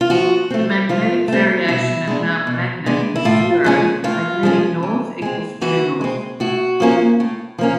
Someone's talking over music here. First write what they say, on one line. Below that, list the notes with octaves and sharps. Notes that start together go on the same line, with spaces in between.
The magnetic variation at Mount Magnet is zero: magnetic north equals true north.
F4
F3 F#4
A3 C4
F3 F4
A3 C4
B2 E4
G#3 B3 D4
B2
G#3 B3 D4
E4
A2 F4
F3 G#3 C#4
A2 F4
F3 G#3 C#4
E3
G#3 C4
E3 F#4
G#3 C4
A2 F#4
F3 A#3 C#4
A2
F3 A#3 C#4